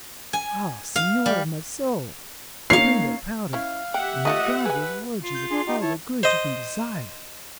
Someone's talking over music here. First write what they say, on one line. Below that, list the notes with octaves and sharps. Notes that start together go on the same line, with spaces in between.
Ah, senor of my soul! bring that powder, and may God reward you with all the good you can desire.
G#5
F5
G3
A#3 C#4 D#4 C#5 F5 C7
C#4 E4 F5
G4 E5 F#5 G5
A3 E4 F4 D#5
G#4 B4 G#5
F4
G6
D4 G#4 C6
D#4 G4 D#5
E4 C#5 A5
C5 D#5